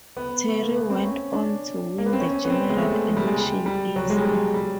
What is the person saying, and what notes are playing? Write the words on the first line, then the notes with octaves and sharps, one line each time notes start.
Terry went on to win the general election easily.
B3
A3
A#3
B3
C4
C#4
D4
A#3
B3
C4
C#4
B3
C4
G#3
A3
G#3
G3
G#3
G3
G3
F#3
G#3
G3
F#3
G3